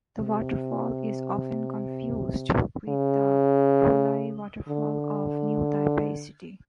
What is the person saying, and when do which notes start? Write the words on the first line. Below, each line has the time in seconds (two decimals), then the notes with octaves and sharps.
The waterfall is often confused with the Wulai Waterfall of New Taipei City.
0.18 C3
2.89 C#3
4.69 D3